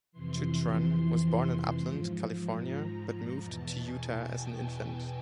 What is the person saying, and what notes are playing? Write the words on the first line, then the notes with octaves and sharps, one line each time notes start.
Chuchran was born in Upland, California but moved to Utah as an infant.
F2 C3 E3 C6
G#2 F3
A#5
E2 B2 A5
G#5
G5